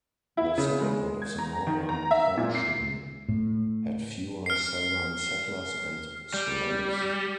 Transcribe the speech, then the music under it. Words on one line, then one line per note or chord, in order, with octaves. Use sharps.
The settlement of the northern portion had fewer Southern settlers and slaves.
E4
C#3
G#3
G#6
A#5
D#3
A#5
E5
A#2
C7
A2
F6 C7
G3